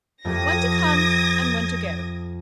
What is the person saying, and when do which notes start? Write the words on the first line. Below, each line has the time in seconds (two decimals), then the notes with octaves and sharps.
One to come, and one to go.'
0.25 F2 A3 G4 D#6 G#6 A#6